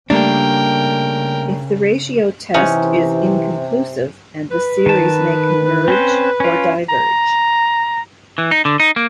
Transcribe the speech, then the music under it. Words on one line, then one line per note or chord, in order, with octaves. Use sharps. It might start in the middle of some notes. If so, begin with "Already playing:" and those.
If the ratio test is inconclusive, and the series may converge or diverge.
C#3 G3 A3 A#3 D4 A#4 G5
C3 E3 C#4 D#4 F#5
B4
D#3 A5
C4 C#4 C5
C#4 F4
A#5
E3
D#4
D3
D#4
A#3